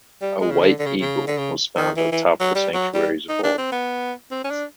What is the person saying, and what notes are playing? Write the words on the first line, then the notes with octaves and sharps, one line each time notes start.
A white eagle was found atop the sanctuary's vault.
G3
G#3
C#3
D3
D3
C#3
C#3
D3
C#3
D#3
E3
E3
F#3
G3
F#3
G3
D#4
D4
C4
B3
C4
C#4
D4